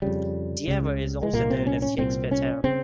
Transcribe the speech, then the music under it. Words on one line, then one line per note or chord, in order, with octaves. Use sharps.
Diever is also known as "Shakespeare-town".
F2 C#3 G3
C#2 C#3
G#3
C2 A#2 A#3
C4
C#4
C#4
C2 A#2 C4
C#4
C#3 C4